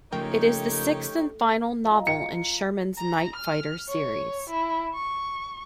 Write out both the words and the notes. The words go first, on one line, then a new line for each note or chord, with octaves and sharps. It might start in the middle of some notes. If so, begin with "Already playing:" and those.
It is the sixth and final novel in Sherman's Night Fighter Series.
C#3 F3 A3 D#4 G4 A#4 C#5 G5
F3 D#4
C#7
A#5
F6
C#5
E4
C#6